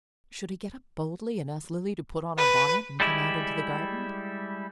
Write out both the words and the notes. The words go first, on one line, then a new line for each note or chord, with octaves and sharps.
Should he get up boldly and ask Lily to put on her bonnet and come out into the garden?
B4
G3 G#3 E4 G4